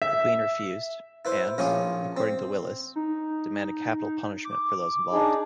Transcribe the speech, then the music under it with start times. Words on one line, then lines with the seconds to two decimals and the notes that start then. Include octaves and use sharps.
The Queen refused, and, according to Willis, demanded capital punishment for those involved.
0.02 E5
1.25 E4 B4 C5
1.58 A#1 C#4 F4 G4 D6
2.17 C4
2.96 D#4
4.45 D6
5.12 D4 D#4 G#4